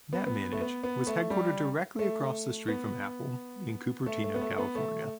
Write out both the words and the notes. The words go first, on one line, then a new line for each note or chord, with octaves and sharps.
NetManage was headquartered directly across the street from Apple in Cupertino, California.
B3
B3
A3
B3
B3
A3
G3
A3
B3
A3
A3
B3
A3
B3
A3